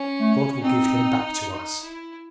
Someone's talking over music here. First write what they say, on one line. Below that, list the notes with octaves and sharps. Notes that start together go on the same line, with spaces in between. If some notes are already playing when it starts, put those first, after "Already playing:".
God will give him back to us!
Already playing: C#4
A3
C4 D#4
D#4
E4